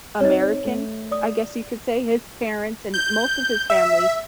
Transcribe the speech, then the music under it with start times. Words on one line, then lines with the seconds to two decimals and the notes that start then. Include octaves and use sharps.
American, I guess you could say, his parents and most of his family
0.20 C4 D#4 C#5 D#5
0.65 A3
1.11 D5 D#6
2.94 G6
3.70 E5